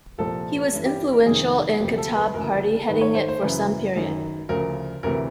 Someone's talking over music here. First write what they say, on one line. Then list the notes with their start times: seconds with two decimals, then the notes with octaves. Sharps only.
He was influential in Kataeb Party heading it for some period.
0.18 C2 A#2 F3 A4
0.72 G2 E3
0.86 G4
1.13 A#4
1.26 F2 C3 D#3 G#4
1.80 D2 C3 F3 G4
1.98 A4
2.15 B4
2.34 D2 C#3 E3 A#4
2.88 G#2 D#3 B4
3.01 C#5
3.15 C5
3.28 C5
3.41 F#2 C#3 E3 B4
3.96 F#2 D#3
4.49 D2 C#3 F3 A#4
5.03 D2 C3 E3 A#4